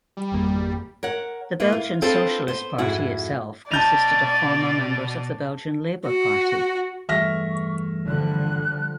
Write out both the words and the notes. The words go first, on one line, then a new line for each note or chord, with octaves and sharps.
The Belgian Socialist Party itself consisted of former members of the Belgian Labour Party.
G3
G#1 F2 A#3
A#4 C#5 F#5
A#3 E4 B4
F4
C4 D4 F4 A4 B4 C5
B3 C5
F2 G#2 E4 F#4
B2 D5 D#5 A5 G6 A6 F7
F#4
E2 G2 A3 E5 C#6 F6 A#6
D3 F3 G3 F#6